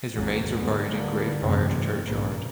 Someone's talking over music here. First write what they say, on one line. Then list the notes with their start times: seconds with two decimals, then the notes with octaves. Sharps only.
His remains were buried in Greyfriars Churchyard.
0.13 G#1 E2 C#3 F#3
0.52 D2 G2 D3 F#3 G#3 B3
0.91 D3 G3 A#3 B3
1.38 F#1 F#2 C3 E3 A3 C4
1.74 G2
2.04 A#1 G#2 C#3 A#3